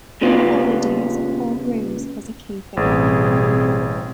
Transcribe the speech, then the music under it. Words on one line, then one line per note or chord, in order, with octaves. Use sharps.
In the early days, Paul Roos was a key figure.
A#2 C#3 G3 B3 F4
A1 B2 G3 C4 G#4